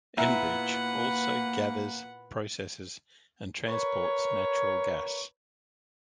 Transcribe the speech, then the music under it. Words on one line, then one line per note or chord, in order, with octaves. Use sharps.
Enbridge also gathers, processes, and transports natural gas.
A#2 A#3 B3 E4 B4 F#5
A#4 B4 C#5